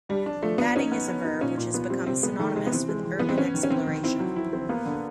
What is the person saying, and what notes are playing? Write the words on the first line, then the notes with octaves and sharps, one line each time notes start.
Vadding is a verb which has become synonymous with urban exploration.
G3 D4
D4
F3 A3
B3 D4
C#4 D#4
B3
B3
D#4
A#2 C#4
A#2
A#2 B3
G3 C4
C3 C4
G#3 B3
D#3 A3
C3 G#3
B3
E3 C4
G#3
E3
E3 B3
C4
B3 C#4
D#3
C#4
D#3 C4
D#3
C4 E4
F#3
E4
C4
A#3 B3
D3